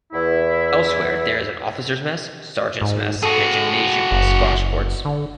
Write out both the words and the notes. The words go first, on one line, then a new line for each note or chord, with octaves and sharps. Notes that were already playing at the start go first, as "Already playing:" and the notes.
Elsewhere there is an officers' mess, sergeants' mess, and a gymnasium with squash courts.
E2 E4
G#2
F#4 G#4 A4
F#1
D3